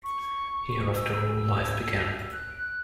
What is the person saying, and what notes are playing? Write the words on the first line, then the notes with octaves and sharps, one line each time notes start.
Here, after all, life began.
C#6
E6
F#6